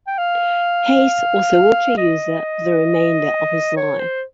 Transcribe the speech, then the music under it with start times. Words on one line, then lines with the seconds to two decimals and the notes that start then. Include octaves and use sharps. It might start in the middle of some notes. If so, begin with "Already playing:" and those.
Hayes was a wheelchair user for the remainder of his life.
0.07 G5
0.18 F5
1.98 D#5
3.77 C#5
3.99 C5